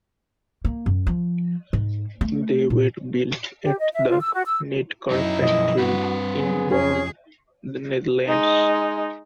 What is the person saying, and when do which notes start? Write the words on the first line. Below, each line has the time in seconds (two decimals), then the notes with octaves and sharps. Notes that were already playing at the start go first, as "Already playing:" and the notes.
They were built at the NedCar factory in Born, The Netherlands.
0.65 A#3
0.86 F#2
1.07 F3
1.73 G#2
2.21 A3
2.70 A#2
3.64 G4
3.79 D#5
3.92 E5
4.09 F4
4.20 E6
4.33 F#4
4.45 E6
5.10 F#2 F#3 D#4 E4 D#5
5.42 B2 F3 D#5
5.78 G2 C4 F#4 B4
6.39 F#3 B3 G#4
6.70 F2 C#4 G#4
8.26 G#3 D#4